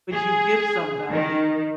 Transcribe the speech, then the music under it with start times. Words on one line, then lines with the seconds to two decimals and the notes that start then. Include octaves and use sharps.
would you give somebody
0.13 G#4
1.11 D#3